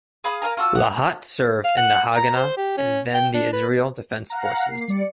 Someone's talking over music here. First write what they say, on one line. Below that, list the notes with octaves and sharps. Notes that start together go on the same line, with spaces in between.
Lahat served in the Haganah and then the Israel Defense Forces.
G#4 F5 B5 D#6
A#4 F5 G#5 A#5
F4 F#4 A4 E6
F#5
F5
F#5
A#5
C5
G4
C#4
G5
D4
B4
F5 F#5 A#5
A#3 C7
G3 D5 C#7